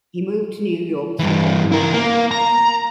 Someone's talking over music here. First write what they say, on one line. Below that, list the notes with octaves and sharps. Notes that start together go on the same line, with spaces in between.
He moved to New York City.
G2 E3
E4 A#4
A#3
A#5